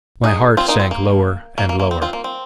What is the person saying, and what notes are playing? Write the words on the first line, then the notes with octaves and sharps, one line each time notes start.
My heart sank lower and lower.
D#4 G#4
C4 F4
A#3 D#4
C4
A#3
A#3
A#3
A#3
C4
C4 F4
A#3
C4